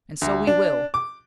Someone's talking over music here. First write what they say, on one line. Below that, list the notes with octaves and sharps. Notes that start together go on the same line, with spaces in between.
And so we will!
D2
D4
D6